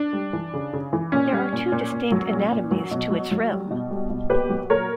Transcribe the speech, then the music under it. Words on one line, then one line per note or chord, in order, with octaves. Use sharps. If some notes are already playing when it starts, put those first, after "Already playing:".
There are two distinct anatomies to its rim.
Already playing: D4
G3
E3
C#3
C#3
E3
A#2 C#4
G3
A#2
A#2
A#2
F#3
A#2
A#2
F#3
B2
F#3
F#3
G3
B2
G3
B2
A#2 G4 B4
F#3
A#2 A#4 C#5